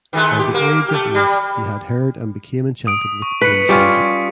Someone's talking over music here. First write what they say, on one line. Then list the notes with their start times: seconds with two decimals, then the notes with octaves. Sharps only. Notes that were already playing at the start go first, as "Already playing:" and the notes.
By the age of eight he had heard and became enchanted with blues music.
0.13 D#3 G#3 A3
0.39 G4
0.54 A#3
0.88 A3 G4
1.14 G3
2.87 D#6 D7
3.22 C#6
3.41 B4 B6 C#7
3.69 G3 C#4 F4